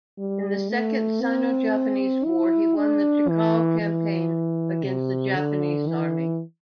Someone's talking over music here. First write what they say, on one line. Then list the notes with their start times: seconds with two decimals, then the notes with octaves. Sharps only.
In the Second Sino-Japanese War, he won the Cheqiao Campaign against the Japanese Army.
0.18 G3
0.70 A3
1.22 C4
2.25 E4
2.77 D4
3.29 E3
3.81 E3
4.84 C3
5.36 D3
5.88 E3